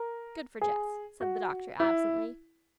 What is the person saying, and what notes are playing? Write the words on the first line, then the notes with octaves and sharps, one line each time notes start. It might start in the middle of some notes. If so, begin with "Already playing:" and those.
"Good for Jess," said the doctor absently.
Already playing: A#4
G#4
F#4
E4